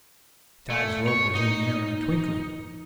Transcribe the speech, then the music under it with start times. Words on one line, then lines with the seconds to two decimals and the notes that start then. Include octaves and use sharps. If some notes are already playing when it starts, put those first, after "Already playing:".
Tad's rope was in the air in a twinkling.
0.70 A3
1.08 C#5
1.35 D#4